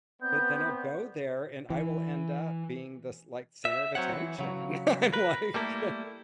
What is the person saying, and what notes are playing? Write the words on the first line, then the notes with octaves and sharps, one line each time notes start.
but then I'll go there, and I will end up being this, like, center of attention. I'm like
B3 C4 D5 G6
E3
E5
F#3 C4 C#5 F#5
E3
C#3 F#3
A#4 B4
G3 A3 A#3 E4